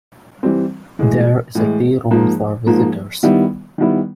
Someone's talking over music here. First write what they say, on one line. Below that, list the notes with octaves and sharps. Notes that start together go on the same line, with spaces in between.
There is a tea room for visitors.
E3 G3 C4
A2 E3 G#3
A2 E3 G#3
G#2 F3 A#3
G#2 F3 A#3
D#3 G3 B3 E4
D#3 G3 B3 E4